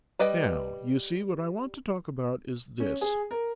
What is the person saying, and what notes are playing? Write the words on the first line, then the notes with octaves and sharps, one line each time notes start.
Now, you see, what I want to talk about, is this.
G3 B4 D#5 G5
C#4
G#4
A#4